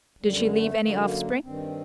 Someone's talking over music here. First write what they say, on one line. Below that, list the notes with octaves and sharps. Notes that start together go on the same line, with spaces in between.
"Did she leave any offspring?"
F#2 D3 G3
A#3
A3
F#2 D3 A#3
G2 D#3 C4